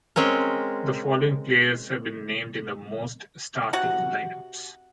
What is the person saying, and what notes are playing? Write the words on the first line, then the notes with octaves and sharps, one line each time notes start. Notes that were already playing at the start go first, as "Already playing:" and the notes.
The following players have been named in the most starting line-ups.
G#3 C4 C#4 A#4
C3 F#4 F#5